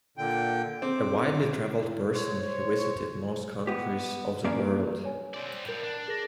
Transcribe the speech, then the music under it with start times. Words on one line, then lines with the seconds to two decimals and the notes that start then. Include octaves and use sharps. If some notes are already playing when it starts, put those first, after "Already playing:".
A widely travelled person he visited most countries of the world.
0.18 A#2 D3 G5
0.82 C4 D6
2.13 C5 C#5
3.67 B3 G4
4.44 A#3 C#4 G#4 A#4 B4 D5
5.04 C#5 G#5
5.34 C4 D5
5.65 A2 G3 A#4 F7
5.83 D4
6.08 G#4 A#4 A#6